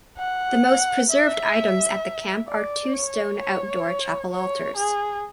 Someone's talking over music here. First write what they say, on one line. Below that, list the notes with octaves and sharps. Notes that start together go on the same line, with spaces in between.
The most preserved items at the camp are two stone outdoor chapel altars.
F#5
E5
D5
C#5
C#5
C#5
G#4